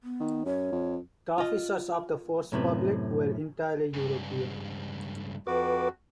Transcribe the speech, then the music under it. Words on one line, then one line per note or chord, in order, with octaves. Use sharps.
The officers of the "Force Publique" were entirely European.
B3
D#3
F#2 C#5
F2
F4 D#5
F#2 A2 C3 B3
C#2 G2
F2 F#4 B4 D6